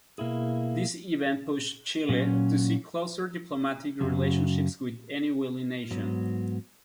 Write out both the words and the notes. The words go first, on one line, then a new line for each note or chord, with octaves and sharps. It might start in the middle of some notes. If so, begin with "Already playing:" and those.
This event pushed Chile to seek closer diplomatic relationships with any willing nation.
B2 A#3 E4 G#4
A#2 F#3 C#4
F#2 C#3 F#3
G#2 F#3 B3